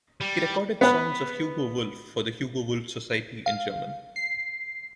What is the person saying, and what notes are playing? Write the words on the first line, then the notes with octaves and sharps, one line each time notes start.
He recorded songs of Hugo Wolf for the Hugo Wolf Society in German.
G3
B3 B4
F5
C7